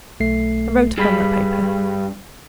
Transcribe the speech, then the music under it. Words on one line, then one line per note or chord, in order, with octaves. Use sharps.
"And wrote upon that paper."
B1 A3 C7
G2 G#4 B5 B6